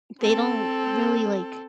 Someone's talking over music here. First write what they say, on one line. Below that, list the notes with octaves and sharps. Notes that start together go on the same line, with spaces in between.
they don't really like
C4 A4